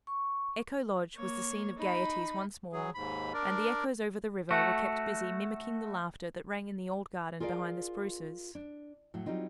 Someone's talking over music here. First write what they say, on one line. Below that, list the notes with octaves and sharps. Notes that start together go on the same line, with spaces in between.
Echo Lodge was the scene of gaieties once more, and the echoes over the river were kept busy mimicking the laughter that rang in the old garden behind the spruces.
C#6
A#3 C#5
D#4 B5
F#3 G#4
D#2 G#2 B5
D4 A#4 D5
A3 F#4
F4 G#4 A#4 B4 D5 F5
D4
A2 F#3
F#3 G3 C4 D#4 F4